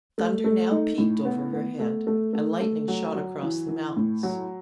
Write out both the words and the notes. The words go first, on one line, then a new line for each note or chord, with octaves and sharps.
Thunder now peaked over her head, and lightning shot across the mountains.
A3
A3
D#4
A2
B3
B3
A3
A3
A3
A3
F#3
F#3
E3
E3
A2
F#3